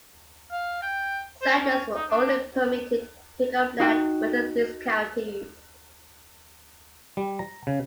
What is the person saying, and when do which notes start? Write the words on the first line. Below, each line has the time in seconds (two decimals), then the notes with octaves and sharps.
Settlers were only permitted to take up land within these counties.
0.52 F5
0.82 G5
1.42 C5
1.64 C#4
1.95 D#4
2.10 D4
3.80 D#4 F#4 G5 C6
7.17 G3
7.39 A#5
7.67 C#3